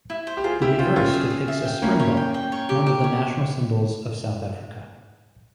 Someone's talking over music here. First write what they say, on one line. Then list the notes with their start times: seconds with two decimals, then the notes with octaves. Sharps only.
The reverse depicts a springbok, one of the national symbols of South Africa.
0.10 E4
0.27 C5
0.37 G4
0.44 F4 G#4 C5
0.62 E4 G4 E5
0.78 C#4 F4 G5
0.96 C#4 F4 E5
1.13 G#4
1.30 G#4
1.48 E5
1.65 G5
1.82 A#3 C#4 E4
1.99 C#5
2.17 G5
2.34 G5
2.52 C#5
2.69 G4
2.86 G4
3.04 C#5